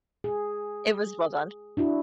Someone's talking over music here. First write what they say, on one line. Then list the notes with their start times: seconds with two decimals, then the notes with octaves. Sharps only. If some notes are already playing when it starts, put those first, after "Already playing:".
it was well done.
0.24 G#4
1.77 D4 E4 F#4